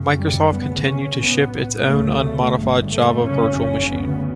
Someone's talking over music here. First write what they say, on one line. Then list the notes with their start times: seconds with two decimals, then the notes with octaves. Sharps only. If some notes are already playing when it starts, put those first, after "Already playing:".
Microsoft continued to ship its own unmodified Java virtual machine.
Already playing: F#1 F#2 C#3
0.17 G3
0.51 D2 C#3 B3
0.86 C#4
1.20 B1 A2 B3
1.88 D2 C#3 A3
2.57 G1 G2
2.91 A3
3.24 F#1 F#2 C#3 C#4
3.60 C#4
3.93 D2 C#3 B3